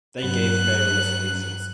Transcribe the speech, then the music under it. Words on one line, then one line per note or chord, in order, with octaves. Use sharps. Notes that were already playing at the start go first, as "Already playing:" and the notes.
They gave various reasons.
G2 F#3 F#6